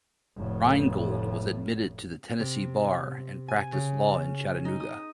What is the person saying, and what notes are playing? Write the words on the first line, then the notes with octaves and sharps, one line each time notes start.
Reingold was admitted to the Tennessee bar and practiced law in Chattanooga.
F1 A2
C3
G#5
C#3
D#4
D#6